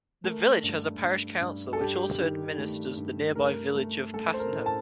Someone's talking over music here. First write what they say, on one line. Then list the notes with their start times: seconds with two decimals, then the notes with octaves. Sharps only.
The village has a parish council, which also administers the nearby village of Passenham.
0.24 A3 A#4
0.63 G2
1.02 G2
1.41 G2
1.73 A4
1.80 G2 G4
2.20 D#3
2.59 A3
2.97 G2
3.35 A3 A#4
3.75 A3
4.14 A3 A4
4.34 C5
4.39 A#4
4.52 A2
4.66 A5